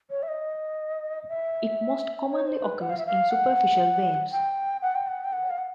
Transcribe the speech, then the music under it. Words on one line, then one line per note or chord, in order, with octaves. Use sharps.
It most commonly occurs in superficial veins.
C#5
E5
D#5
E5
C#5
C5
B4
F#5
F5
E5
F5
F#5
G5
F#5
G5
F#5
G5
F#5
F5
F#5